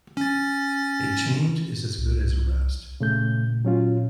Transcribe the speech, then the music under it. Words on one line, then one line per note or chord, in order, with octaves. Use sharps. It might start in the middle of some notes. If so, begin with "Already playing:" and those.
A change is as good as a rest.
C#4 A6
C2
A#2 C#3 A3 G6
F#3 C#4 F4